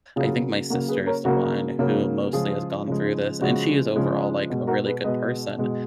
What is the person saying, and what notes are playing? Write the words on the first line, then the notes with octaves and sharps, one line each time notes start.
I think my sister is the one who mostly has gone through this, and she is overall, like, a really good person,
C#3 F#3 A#3 F4 G#4
C#3 F#3 A#3 F#4 A#4
G#4 B4
A#4 C#5
C#3 F#3 A#3 F#4 A#4
C#3 F#3 A#3
C#3 F3 G#3 F4 G#4
C#3 F3 G#3
C#3 F3 G#3 F#4
C#3 F3 G#3
B2 G#3
F#4 A#4
G#4 B4
B2 G#3 B4 D#5
B2 G#3